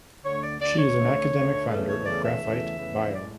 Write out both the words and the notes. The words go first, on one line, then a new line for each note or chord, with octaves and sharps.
She is an academic founder of Graphite Bio.
D2 D3 A3 C#5
D5
D2 D3 A3 D5
C#5
D2 D3 A3
D2 D3 A3
E2 C#3 E3 A3
C#5
E2 C#3 E3 A3 D5
E5
E2 C#3 E3 A3
E2 C#3 E3 A3
A2 G#3 D5